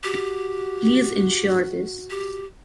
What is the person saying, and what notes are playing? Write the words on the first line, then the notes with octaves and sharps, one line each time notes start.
Please insure this.
F#4 G4
G4